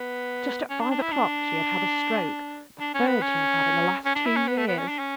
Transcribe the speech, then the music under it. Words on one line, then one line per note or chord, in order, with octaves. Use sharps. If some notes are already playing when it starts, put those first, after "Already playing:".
Just at five o'clock she had had a stroke, the third she has had in the last two years.
Already playing: B3
C#4
D4
D4
E4
D4
D4
C#4
B3
C#4
C#4
D4
E4
C#4
B3
A3
B3
C#4
D4
C#4